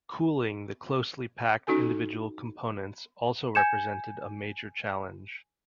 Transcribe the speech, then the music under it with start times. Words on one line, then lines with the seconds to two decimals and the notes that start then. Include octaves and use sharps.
Cooling the closely packed individual components also represented a major challenge.
1.67 C#4 D#4 F#4 A4 G#5
3.55 G#5 G6 G#6 C#7 E7